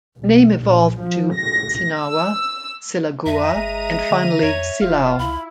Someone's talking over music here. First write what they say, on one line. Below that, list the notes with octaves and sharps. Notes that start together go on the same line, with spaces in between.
The name evolved to 'Sinaua', 'Silagua' and finally 'Silao'.
B1
A#1
F3
A#6
E6
F2 E5 A#5 D#7
G1 G#3
D3
F2 C#5
F1 F4 F5
C#2 E4 B5